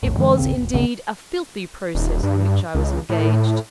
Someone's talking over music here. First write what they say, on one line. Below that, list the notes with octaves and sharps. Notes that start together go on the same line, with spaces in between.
It was, indeed, a filthy process in which I was engaged.
A#1 E2 A2
F#2 D3 E3 G#3
G#1 D#2 C#3 C4
D#1 F#2
G#1 D2 C#3 B3
D#1
G2
C#2
A2